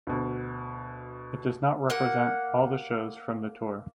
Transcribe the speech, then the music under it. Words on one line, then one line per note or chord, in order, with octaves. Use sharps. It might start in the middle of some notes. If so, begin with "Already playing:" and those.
It does not represent all the shows from the tour.
D2 B2
A#3 F#5